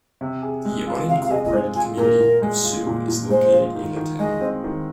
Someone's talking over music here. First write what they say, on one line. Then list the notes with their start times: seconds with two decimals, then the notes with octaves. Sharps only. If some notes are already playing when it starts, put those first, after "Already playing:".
The unincorporated community of Sioux is located in the town.
0.21 C3
0.42 G#4
0.65 G#3
0.87 F4
1.08 C3 F5
1.25 F5
1.31 G#4 D#5
1.45 D#5
1.53 G#3 C5
1.75 F4 G#5
1.97 A#2 A#4
2.20 A#2
2.42 G#3
2.64 F4
2.87 A#2
3.08 A#2
3.30 G#3 C5
3.53 F4
3.75 D#3
3.96 D#3
4.19 G#3 D#5
4.41 C4
4.64 D#3